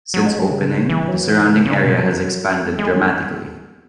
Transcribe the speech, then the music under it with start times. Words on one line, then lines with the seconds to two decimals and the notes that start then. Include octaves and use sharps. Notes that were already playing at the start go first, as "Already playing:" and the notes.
Since opening, the surrounding area has expanded dramatically.
0.14 F#3
0.26 G#3
0.39 F#3
0.51 C#3
0.89 E3
1.08 F#3
1.27 E3
1.46 C#3
1.65 C#3
1.84 B2
2.03 F#3
2.79 G#3
2.91 F#3